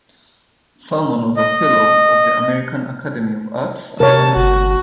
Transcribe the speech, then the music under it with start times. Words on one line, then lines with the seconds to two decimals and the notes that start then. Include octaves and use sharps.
Salmon was a fellow of the American Academy of Arts and Sciences.
1.37 D#5
4.00 C3 A#4 C#5 A5
4.36 G1 F#4